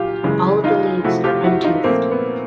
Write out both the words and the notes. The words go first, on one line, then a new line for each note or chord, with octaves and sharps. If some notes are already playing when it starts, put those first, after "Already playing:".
All of the leaves are untoothed.
Already playing: A#2 F#3 F4 G4
F#2 C#3 E3 G#3
D#4 F4
C3 F3 A3 E4 F#4
F4 G4
E4 F#4
D#4 F4
A#2 F3 A3 A#3 C4
B3